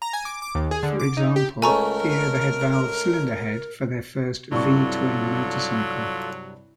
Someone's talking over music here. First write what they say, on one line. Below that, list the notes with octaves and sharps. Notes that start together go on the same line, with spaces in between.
For example, the overhead-valve cylinder head for their first V-twin motorcycle.
A#5
G#5
D6
D6
D#2
G#4
D3
D6
D#4
G4
C#2 A3 A#4 G#5 A#5 C#6
G2 C3 F#3 E4 F4 A4 D5 C#6